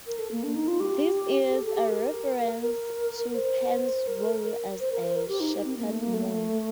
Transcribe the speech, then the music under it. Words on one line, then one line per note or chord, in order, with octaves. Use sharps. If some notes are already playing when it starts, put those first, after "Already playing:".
This is a reference to Pan's role as a shepherd moon.
A#4
A4
A#3
D4
D#4
F4
G4
A4
A4
G4
A#4
A#4
C5
A#4
C5
A#4
C5
A#4
G4
D#4
C4
A#3
A3
A#3
A3